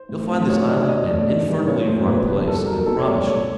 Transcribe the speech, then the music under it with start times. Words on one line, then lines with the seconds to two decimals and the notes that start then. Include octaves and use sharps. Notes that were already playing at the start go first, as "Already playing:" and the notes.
You'll find this island an infernally rum place, I promise you.
Already playing: C5
0.09 A2
0.29 F#3 A3 C4
0.49 D2 C#5
0.69 D3 F#3 D5
0.88 B2 D#5
1.08 F#3 A3 D5
1.28 G#2
1.48 E3 G3 A#3
1.67 A#2 C#5
1.87 F#3 A3 C4 C5
2.07 E2 B4
2.27 C#3 F3 B4
2.47 C2 A4
2.67 B2 F#3 A#4
2.86 A#2 A4
2.99 C#5
3.06 G3 C4 D5
3.26 C#2 C#5